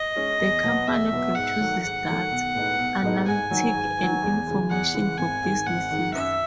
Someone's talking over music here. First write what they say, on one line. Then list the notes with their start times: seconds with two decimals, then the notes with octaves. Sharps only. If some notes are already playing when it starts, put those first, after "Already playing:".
The company produces data, analytics and information for businesses.
Already playing: D#5
0.15 G#3 C#4
0.39 E2
0.63 B2 F#3 B3
0.87 E2 E5
1.12 B2 F#3 B3
1.35 G#2 F#5
1.59 D#3 F#3 A3
1.82 G#2 F#5
2.07 D#3 F#3 A3
2.31 B1
2.55 A2 G#3 B3 D#4
2.79 B1
3.02 A2 G#3 B3 D#4
3.26 G#2 G#5
3.51 D#3 F#3
3.74 G#2
3.99 D#3 F#3
4.22 E2
4.46 C#3 E3 G#3
4.70 E2 F#5
4.94 C#3 E3 G#3
5.18 G#1 G#5
5.43 G#2 D#3
5.67 G#1 F#5
5.90 G#2 D#3
6.14 F#2 E5